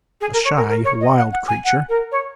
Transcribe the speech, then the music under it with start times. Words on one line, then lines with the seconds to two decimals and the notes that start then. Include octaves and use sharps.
A shy, wild creature.
0.21 G#4
0.33 A#4
0.45 C#5
0.57 A#4
0.69 A#4
0.84 C#5
1.01 D#5
1.17 F#5
1.32 F#5
1.48 G#5
1.65 F#5
1.89 A#4
2.12 C#5